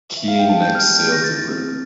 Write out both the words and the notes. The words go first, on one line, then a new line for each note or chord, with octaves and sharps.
"Keying" next sailed to Britain.
E5
F5
G5
G4 A5
G6
G4 F6
F6
A3 G6
A#6
E4 A6
A6
C4